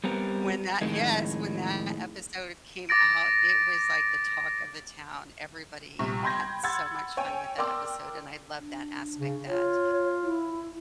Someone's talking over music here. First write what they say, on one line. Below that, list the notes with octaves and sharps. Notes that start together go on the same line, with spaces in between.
when that Yes, when that episode came out, it was like the talk of the town, everybody had so much fun with that episode. And I love that aspect that
G3 B3 C4 A#4
F2 A2 D#3 G#3
D6 A6 A#6 D7
A#1 C3 G3 C#6
G5 B5 C6 G6 G#6 A#6
F#5 B5 C6 E6 G#6 A6
C#5 G5 G#5
A#4 D5 G5 C6 D6 E6
D4
C#3
F4 C#5
E4